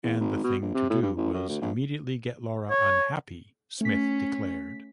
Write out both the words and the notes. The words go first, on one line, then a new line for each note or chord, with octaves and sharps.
"And the thing to do was immediately get Laura unhappy" Smith declared.
E2
G#1
B2
A#1
C3
A2
G2
A1
F#2
D2
A#1
C#5
A3 C#4 B6